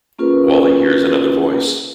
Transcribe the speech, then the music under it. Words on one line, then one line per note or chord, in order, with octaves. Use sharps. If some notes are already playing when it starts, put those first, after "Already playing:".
Wally hears another voice.
A#3 C#4 F4 G#4 A#4 B4